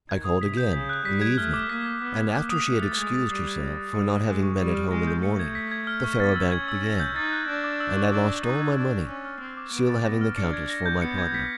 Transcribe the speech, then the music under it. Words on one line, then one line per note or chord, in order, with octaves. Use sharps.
I called again in the evening, and, after she had excused herself for not having been at home in the morning, the faro bank began, and I lost all my money, still having the countess for my partner.
D#3 G#6
D#6
C3 B6
G6
C#3 B6
F#6
G3 B6
G#6
A3 F6
D6
A#3 B6
G#6
B3 B6
G#6
A#3 F#6
D#6
A3 C#7
A6
G#3 C#7
A6
G3 C7
G#6
A#6
F#6
G3 C#7
A6
G#3 E6
C#6
G3 A6
F6
G#3 A#6
G6
A3 C#7
G#6
B6
G#6
F6
C#6
B3 A6
E6
C#4 G#6
E6
A#6
G6
D#4 A6
F#6
D4 F#6
D6
E6
C#6
D4 G6
D6
D#4 B6
G#6
D4 G#6
E6
C#4 G#6
F6
C4 F6
D6
B3 D7
A6
B3 A#6
F6
D4 C#7
G#6
A#6
G6
B3 C#7
G#6
B6